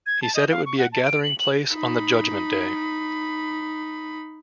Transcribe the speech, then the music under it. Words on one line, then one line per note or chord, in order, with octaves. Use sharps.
He said it would be a gathering place on the Judgement Day.
G#6
A5
D#5
F5
C#6
F#5
A5
D7
F#7
F#7
D#4 B5